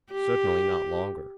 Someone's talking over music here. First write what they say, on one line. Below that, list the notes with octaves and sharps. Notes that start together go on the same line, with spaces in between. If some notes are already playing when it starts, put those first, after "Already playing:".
"Certainly not longer."
G4